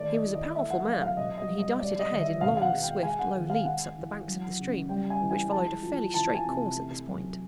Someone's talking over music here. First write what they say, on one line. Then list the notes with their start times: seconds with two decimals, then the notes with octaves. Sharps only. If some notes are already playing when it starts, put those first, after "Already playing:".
He was a powerful man, and he darted ahead in long, swift, low leaps up the banks of the stream, which followed a fairly straight course at this point.
Already playing: D#3 A3 D5
0.14 D#5
0.24 E3
0.34 D#5
0.55 A3 E5
0.70 F#5
0.86 F#3 F5
1.02 F5
1.17 B2 D#5
1.38 D#5
1.48 G3
1.59 D#5
1.79 G3 D5
1.99 D#5
2.10 D#3
2.21 E5
2.41 B2 F5
2.57 F5
2.62 F#5
2.73 G#3
2.82 G5
3.03 G#3 G#5
3.19 F#5
3.34 D#3
3.50 F5
3.65 G#3 F#5
3.96 E3
4.28 F#3
4.59 C#3
4.89 G3 G5
5.10 G#5
5.21 E3
5.31 G#5
5.51 G#3 A5
5.83 F3
6.14 E3 A5
6.35 G#5
6.45 C3
6.75 A3
7.07 F#3